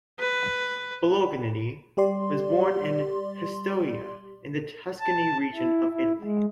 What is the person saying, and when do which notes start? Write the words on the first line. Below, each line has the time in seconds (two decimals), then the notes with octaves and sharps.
Bolognini was born in Pistoia, in the Tuscany region of Italy.
0.19 B4
1.97 G3 G4 D5 C6
4.99 A5
5.54 E4
5.92 E4
6.21 G#3